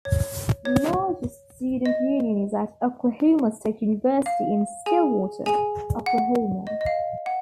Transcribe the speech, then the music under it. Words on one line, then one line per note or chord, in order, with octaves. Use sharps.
The largest student union is at Oklahoma State University in Stillwater, Oklahoma.
C#5
C#5
D#5
F5
G#4 G#5
G#4 G#5
F#5
D#5
D#5
F5
F#5